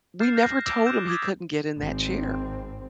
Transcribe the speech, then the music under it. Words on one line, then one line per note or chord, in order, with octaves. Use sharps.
we never told him he couldn't get in that chair.
F6 G6 A6 C7 E7
F6 G6 A#6
D6 E6 G6 A#6 D7 E7
E6 F#6 G6 E7
D6 D#6 F#6 G#6 A6 B6
G#1 C4